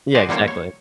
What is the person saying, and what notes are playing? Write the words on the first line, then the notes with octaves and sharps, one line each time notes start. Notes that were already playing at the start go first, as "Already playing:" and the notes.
Yeah, exactly.
F#4 G#4 C5 D5 D#5
E2 D3 G3 A#3 C5 C#5
C#5